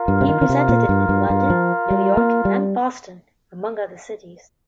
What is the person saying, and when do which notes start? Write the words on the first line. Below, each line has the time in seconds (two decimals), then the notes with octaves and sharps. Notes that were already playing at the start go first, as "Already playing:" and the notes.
He presented it in London, New York, and Boston, among other cities.
Already playing: F4 A#4 F5
0.08 G2
0.21 C3
0.29 D#3
0.41 D#3
0.49 C3
0.69 A#2
0.89 G2
1.09 G2
1.30 G2
1.50 F3
1.90 G3
2.17 A#3
2.45 G3